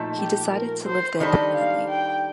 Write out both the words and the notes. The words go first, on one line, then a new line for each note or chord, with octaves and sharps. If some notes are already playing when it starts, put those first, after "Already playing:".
He decided to live there permanently.
Already playing: A#2 F3 A3 D#4 A4
G4
A#4
C5
D#3 G3 D4 A4 C5 D#5
F5
G5